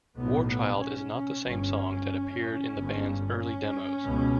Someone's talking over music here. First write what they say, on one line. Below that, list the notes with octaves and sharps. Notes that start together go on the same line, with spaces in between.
"Warchild" is not the same song that appeared in the band's early demos.
B1 A2 B3
B3
C#4
C#4
G1 G2 C#4
G1 G2
C#4
C#2 B2